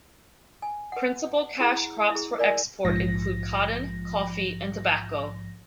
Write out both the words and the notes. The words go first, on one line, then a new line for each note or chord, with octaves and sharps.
Principal cash crops for export include cotton, coffee, and tobacco.
G#5
B4 F#5
E4 G#4 F#5
E4 G#4
A#4 D5 G#5
A#1 G#2 F3 A#6